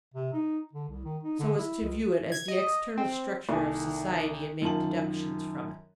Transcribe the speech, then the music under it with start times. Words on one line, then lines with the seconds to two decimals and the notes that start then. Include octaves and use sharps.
"So as to view it as the external structure of Society and make deductions from it."
0.14 C3
0.33 D#4
0.73 D3
0.89 C2
1.05 D#3
1.23 D#4
1.39 D3
1.58 E4
1.82 C#2
2.32 G#6
2.48 D#5
2.98 C4
3.49 C2 D#3 A#3 A4 G#5 D6
4.62 F#2 D#3 F4 A5 F#7